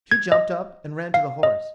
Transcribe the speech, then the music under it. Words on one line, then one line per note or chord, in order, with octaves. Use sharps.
She jumped up and ran to the horse.
G#6
D#5
F5
D#5